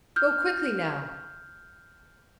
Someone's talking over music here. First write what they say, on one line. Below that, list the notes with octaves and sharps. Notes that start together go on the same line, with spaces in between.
Go quickly now!
F6 G6